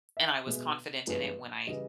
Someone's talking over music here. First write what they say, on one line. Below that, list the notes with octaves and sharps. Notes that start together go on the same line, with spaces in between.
and I was confident in it when I
E5
B2 G#3 B3
G2 E3 G#3 B3
C#3 E3 G3 D#5